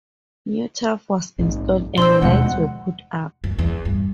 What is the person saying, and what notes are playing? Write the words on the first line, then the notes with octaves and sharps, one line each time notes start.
New turf was installed, and lights were put up.
A#1 G#2
A#2 D4 C5 C6 E6
D#2 B2 F3 G#3 F#5
F#2
E2
G2